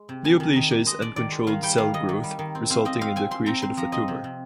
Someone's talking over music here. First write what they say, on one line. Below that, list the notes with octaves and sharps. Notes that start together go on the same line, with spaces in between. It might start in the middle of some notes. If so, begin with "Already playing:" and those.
Neoplasia is uncontrolled cell growth, resulting in the creation of a tumour.
Already playing: G#3
C3
D#3 G#5
D#3
D#3
D4
G#3 D#5
D4 D5
D#3 D5
G#3
D#3 F5
G3 G5
D#3 F5
D#3 D#5
D#3
G3
D#3
C4
C4 F5
C4 D#5
C4 F5
C4 G#5
C4 C6
C4 A#5
C4 C6
F3 A#5
C4 D#5
C3
C3